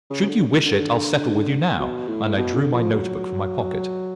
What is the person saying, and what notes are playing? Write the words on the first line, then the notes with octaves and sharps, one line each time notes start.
'Should you wish it, I'll settle with you now,' and I drew my note-book from my pocket.
C#3
C#3
D3
D3
B2
A2
B2
D3
F3
F#3